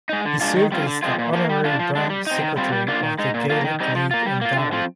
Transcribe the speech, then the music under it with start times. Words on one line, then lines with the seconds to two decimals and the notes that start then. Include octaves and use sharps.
He served as the honorary branch secretary of the Gaelic League in Derry.
0.09 G#3 D#4
0.25 D3
0.41 G#3 D4 F4
0.56 D#3
0.72 G3 C4 F4
0.87 D3
1.03 F3 G#3 C4 F4
1.19 A#2
1.33 F3 A#3
1.49 G3
1.64 D4 F4
1.79 F3
1.95 G#3 D4
2.10 G3
2.27 C4 D#4
2.41 D#3
2.57 G3 C4 F4
2.72 G3
2.88 A#3 D4 F4
3.03 D#3
3.19 G#3 D#4
3.34 A#2
3.50 F3 A#3 F4
3.64 D#3
3.80 G3 C4 D#4
3.95 F3
4.11 A#3 F4
4.26 G3
4.41 A#3 F4
4.57 D3
4.72 F3 C4 F4